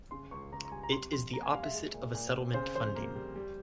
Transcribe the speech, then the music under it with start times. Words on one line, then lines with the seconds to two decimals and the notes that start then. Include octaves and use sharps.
It is the opposite of a settlement funding.
0.11 C#3 C6
0.31 C#2 C#6
0.52 C#2 A#5
0.65 A#5
0.72 G3 G#5
0.83 A#5
0.92 C3 C6
1.12 F2 C6
1.32 A#3 A#5
1.43 G#5
1.53 G3 F5
1.63 E5
1.74 G#3
1.94 A#2
2.15 A#2
2.35 C4
2.54 C#3 C5
2.75 F2 C5
2.96 A#3
3.15 G3
3.35 G3